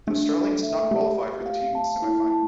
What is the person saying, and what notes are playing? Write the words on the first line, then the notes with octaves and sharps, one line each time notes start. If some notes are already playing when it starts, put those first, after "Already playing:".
The Australians did not qualify for the team semifinal.
A3 D4
A4
E5
A3 G4
G4
F5
A5
E4
A5